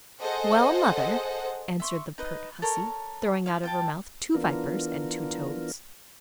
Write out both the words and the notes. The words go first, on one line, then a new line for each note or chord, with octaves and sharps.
"Well, mother?" answered the pert hussey, throwing out of her mouth two vipers and two toads.
G#4 A4 C5 D#5 F#5
E5 C6 C#6
D#4 B4 D#5
A4 A#4 C#5
E4 F5
F4 G5 A5
E3 B3 D4 F4 A#4